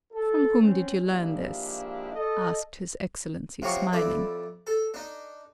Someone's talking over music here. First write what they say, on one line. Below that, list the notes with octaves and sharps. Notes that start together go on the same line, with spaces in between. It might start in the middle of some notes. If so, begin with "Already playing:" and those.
"From whom did you learn this?" asked his Excellency, smiling.
A4
C4 C#4
F3 G#3 A#3 D4 E4 G4
A4 D#5
C3 F3 F#3 G4 A#5 C#6
F2 E4 D5
A4
D4 D#4